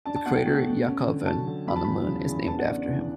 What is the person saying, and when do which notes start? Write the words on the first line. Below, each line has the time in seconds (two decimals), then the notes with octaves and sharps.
The crater Yakovkin on the Moon is named after him.
0.06 D4 A5
0.16 A5
0.26 B2 F#5
0.36 G5
0.46 A3
0.67 B2
0.86 C#4
1.07 D3
1.26 F#3 A5
1.47 D3
1.67 F#3 B5
1.76 A5
1.85 E2 B5
2.08 C#3
2.28 E2
2.48 B3 A5
2.59 F#5
2.68 D4 D5
2.78 D5
2.89 E3